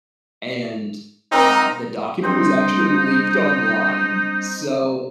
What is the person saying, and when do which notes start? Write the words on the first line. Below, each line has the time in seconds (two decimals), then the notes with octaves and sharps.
and, uh, the document was actually leaked online, so
1.32 C4 D#4 A#4 A#5
2.23 G3 C4 D4 D#4 C5 C6